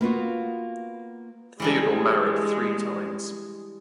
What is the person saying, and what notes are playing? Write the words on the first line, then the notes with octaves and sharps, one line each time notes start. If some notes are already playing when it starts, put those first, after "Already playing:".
Theodore married three times.
A#3 B3 F4 F#4
E3 G3 G#3 D4